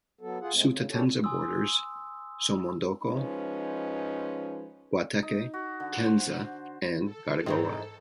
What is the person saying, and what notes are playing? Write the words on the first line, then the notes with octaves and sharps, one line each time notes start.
Sutatenza borders Somondoco, Guateque, Tenza and Garagoa.
F#3 B3 A4
F4 G#4 F#5
A#2 G#3 A3 C4
C#3
C#3 C#4 D4 G4 A4 C#5
G#5 C6 D#6 E6
F3 G#3 C#4 D#4 B4
D#4
F#4
D3
C5
A4
G#2 D#3 E3 C4 D#5